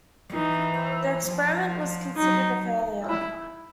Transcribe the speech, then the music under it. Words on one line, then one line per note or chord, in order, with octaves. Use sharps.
The experiment was considered a failure.
E3 D#4
F3
F#3 D#4
E4